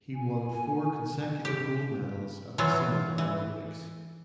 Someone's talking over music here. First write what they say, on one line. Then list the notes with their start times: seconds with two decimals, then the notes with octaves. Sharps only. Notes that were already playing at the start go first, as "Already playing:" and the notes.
He won four consecutive gold medals at the Summer Paralympics.
0.15 G#5
1.45 G4
2.58 E3 F#3 F4
3.18 E3